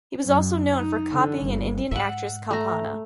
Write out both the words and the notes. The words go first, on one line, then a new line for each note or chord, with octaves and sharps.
He was also known for copying an Indian actress Kalpana.
F#2
D#4
D3
G1
G#2 E5 F#5
A3 A#5